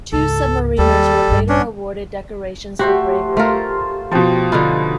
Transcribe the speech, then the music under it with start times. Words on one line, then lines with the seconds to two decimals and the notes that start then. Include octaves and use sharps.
Two submariners were later awarded decorations for bravery.
0.13 C#2 G#2 A4
0.78 D#2 G3 A4
1.27 A#1 G2
1.49 C#4 D4
2.79 A3 F#4 G4 C5 F#5
3.37 A3 F4 A#4 C5
4.11 B2 F3 C5 G5
4.52 D3 D#4 F4 B4